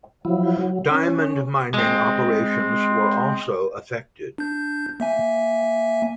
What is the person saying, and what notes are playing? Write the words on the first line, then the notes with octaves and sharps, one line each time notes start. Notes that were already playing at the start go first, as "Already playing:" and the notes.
Diamond mining operations were also affected.
F3 F#3 E4
F#3
C#4
G#3 C4
D4 G6
A#3 E5 G#5